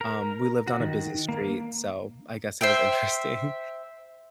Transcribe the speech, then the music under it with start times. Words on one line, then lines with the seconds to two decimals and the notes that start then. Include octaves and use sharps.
um, we lived on a busy street, so I guess it was interesting,
0.01 A#4
0.68 F#4
0.80 D#3
1.29 A#3
2.61 C5 E5 G5